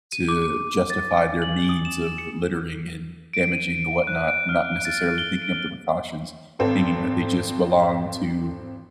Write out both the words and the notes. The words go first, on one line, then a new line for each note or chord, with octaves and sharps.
to justify their means of littering and damaging the whatnot, not necessarily thinking of the precautions, thinking that they just belong to,
D#7
D6
D6
A6
G#5
F#7
D#6
E7
E7
C#7
D7
D#7
F#6
D7
F6
A6
D7
G7
D7
G#1 C4 A4